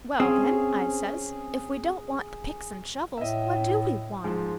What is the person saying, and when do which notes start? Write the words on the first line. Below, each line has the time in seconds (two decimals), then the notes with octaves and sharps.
"Well, then," I says, "if we don't want the picks and shovels, what do we want?"
0.20 C4 C#4 G#4
3.18 A2 D#5 E5
4.24 G#2 F3